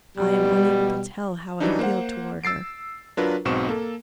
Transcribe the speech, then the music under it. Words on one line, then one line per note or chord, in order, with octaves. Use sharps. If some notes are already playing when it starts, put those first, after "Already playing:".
I am unable to tell how I feel toward her.
B2 G3
E3 F#3 G3 D4 D#4
A#3 C5 F#5
E6 A6 C7 D7
F#3 D4 F4 A#4 B4
B1 G#2 B2 C4 C#6 E7
A#3 A4